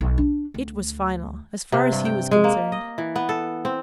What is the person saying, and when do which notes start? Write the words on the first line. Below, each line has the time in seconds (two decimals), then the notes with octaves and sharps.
It was final, as far as he was concerned.
0.01 B1
0.18 D4
0.54 D2
1.72 C3
1.92 G2
2.05 G5
2.31 G#3
2.44 A#3
2.72 D#5
2.98 E3
3.16 B3
3.29 A4
3.65 C4